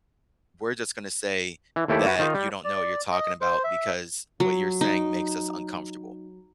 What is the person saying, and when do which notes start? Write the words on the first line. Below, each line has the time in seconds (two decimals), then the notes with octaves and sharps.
we're just gonna say that you don't know what you're talking about, because what you're saying makes us uncomfortable."
1.76 E3
1.88 D#2 A3 E4 G4 A4 D5
2.06 F#4 B4
2.19 D#3 D#4 F4
2.35 G3
2.64 D5
3.12 D#5
3.41 C5
3.64 E5
4.40 F#3
4.81 D#4